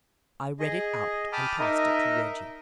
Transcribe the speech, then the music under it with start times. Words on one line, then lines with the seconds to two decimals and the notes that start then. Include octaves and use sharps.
I read it out and passed it to Reggie.
0.59 G#4 D#5
1.32 G5 A5 B5 D6 D#6 F6
1.59 D#4 A#4 D#5 E5